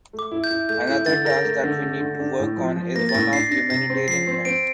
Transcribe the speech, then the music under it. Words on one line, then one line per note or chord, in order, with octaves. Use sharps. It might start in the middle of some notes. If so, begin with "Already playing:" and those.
Another task that we need to work on is one of humanitarian kind.
A3
D6
E4
G6
E4
A3 G6
E4 G6
D3 A6
A#4 A#6
A3
D3
A3
D3
D4
A2
F3
F3
A#3 A#6
A6
A2 A#6
D4 C7
D4 A#6
C3 A#6
C4
F3 C7
C4
C4 D7